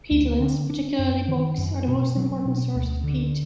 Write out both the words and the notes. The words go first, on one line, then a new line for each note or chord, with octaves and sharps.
Peatlands, particularly bogs, are the most important source of peat.
D2
D3
D4
F#2
D#3
F#2
B2
F#3
B2
D2
D3